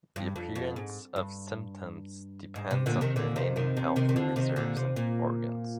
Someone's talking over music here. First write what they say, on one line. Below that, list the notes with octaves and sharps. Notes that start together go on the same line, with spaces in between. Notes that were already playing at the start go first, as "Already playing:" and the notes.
The appearance of symptoms depends on the remaining healthy reserves in the organs.
G2
F2
F2
G#2
G2
G#2
C3
A#2 D3
C3 D#3
A#2 D3
C3 D#3
C3 D#3
C3
C3 D#3
D#3
D3 F3
C3 D#3
A#2 D3
C3
A#2